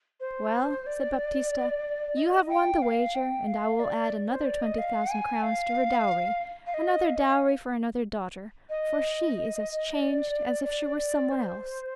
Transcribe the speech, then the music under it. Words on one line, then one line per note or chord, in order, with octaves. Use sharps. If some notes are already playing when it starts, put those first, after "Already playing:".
"Well," said Baptista, "you have won the wager, and I will add another twenty thousand crowns to her dowry--another dowry for another daughter--for she is as changed as if she were someone else."
C5
D5
D#5
G5
F5
G5
F5
D5
C5
D5
D#5
F5
G#5
F5
F5
D#5
F5
D#5
F5
D#5
D5
D5
C5